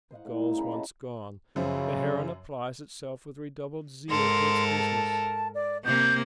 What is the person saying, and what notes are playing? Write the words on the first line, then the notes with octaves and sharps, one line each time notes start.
The gulls once gone, the heron applies itself with redoubled zeal to its business.
C5 D#5 F5 F#5
A2
G3 A#3
C#3 D#4 A#5 B5
E4 F#4 A4 A5
F#2 C#3 F3
G#2 A4 A#4 C6
A5
D5
C3 A#3 G6